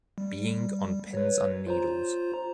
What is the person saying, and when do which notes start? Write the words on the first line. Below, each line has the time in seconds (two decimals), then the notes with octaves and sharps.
Being on pins and needles.
0.18 G3
1.13 B4 C#5
1.67 F4 C5 A#5